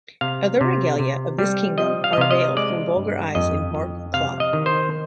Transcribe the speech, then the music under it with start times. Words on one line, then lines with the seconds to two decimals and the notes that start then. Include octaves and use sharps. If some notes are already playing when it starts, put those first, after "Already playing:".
Other regalia of this kingdom are veiled from vulgar eyes in bark-cloth.
0.21 C3 F5
0.61 C3
0.99 C3
1.39 G3
1.78 F3 D#5
2.04 F5
2.13 D#5
2.17 C3 F5
2.31 D#5
2.57 G#3 D5
2.96 G2
3.35 F2 D#5
3.75 F2
4.14 C3 F5
4.40 D#5
4.53 D#3
4.66 C5